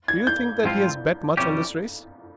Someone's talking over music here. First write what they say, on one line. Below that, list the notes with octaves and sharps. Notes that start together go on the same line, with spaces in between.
"Do you think that he has bet much on this race?"
G#6
G6
G#2 F3 C4 F4
F2 C3 G3 C#4 G4